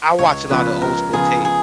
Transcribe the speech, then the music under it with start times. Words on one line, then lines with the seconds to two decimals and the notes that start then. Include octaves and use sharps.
I watch a lotta old school tape.
0.19 C#2 C#5
0.50 C#3 F3 B3 F4 B4
0.82 C#2 A#4
1.13 C#3 F3 B3 F4 G#4
1.45 G#4